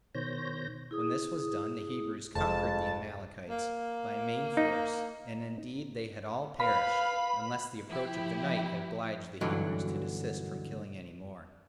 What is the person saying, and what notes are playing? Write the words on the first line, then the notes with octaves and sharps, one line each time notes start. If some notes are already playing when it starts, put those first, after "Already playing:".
When this was done, the Hebrews conquered the Amalekites by main force; and indeed they had all perished, unless the approach of the night had obliged the Hebrews to desist from killing any more.
B2 D#3 C5 C#5 G6 A#6
E4 G#4 D#6
F1 F2 G#3 A5
A#3
D#4
B4 F5 B5
F3 E4 G4
B1 G2 D3 E3 F#3